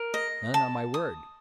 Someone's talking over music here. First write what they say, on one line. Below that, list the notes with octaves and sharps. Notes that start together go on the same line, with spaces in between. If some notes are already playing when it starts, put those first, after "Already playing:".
None, on my word!
Already playing: A#4
D#5
A5
D#6